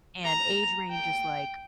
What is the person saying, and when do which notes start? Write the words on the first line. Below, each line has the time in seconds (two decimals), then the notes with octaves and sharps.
and age range is, like,
0.24 A#5
0.90 G5